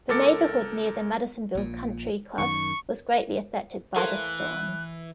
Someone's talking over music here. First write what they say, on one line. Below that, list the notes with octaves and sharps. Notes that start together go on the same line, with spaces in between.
The neighborhood near the Madisonville Country Club was greatly affected by the storm.
C#2 A4 A#4 D6 A6 C#7
A#1 A#2
F#2 D#3 C#6
E3 A3 A#3 C5 F#6